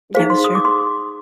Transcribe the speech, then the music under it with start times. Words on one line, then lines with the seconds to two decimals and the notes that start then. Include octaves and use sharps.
Yeah, that's true.
0.15 D#4 G#4 C5 F5
0.30 C6
0.44 D#6
0.55 D6
0.65 C6